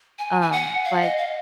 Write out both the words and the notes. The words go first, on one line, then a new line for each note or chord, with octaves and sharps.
Um, but
G#5
G#5
F#5
F5
D#5
F5